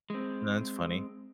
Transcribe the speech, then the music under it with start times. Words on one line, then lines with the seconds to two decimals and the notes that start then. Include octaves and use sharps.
That's funny.
0.10 G#3 C4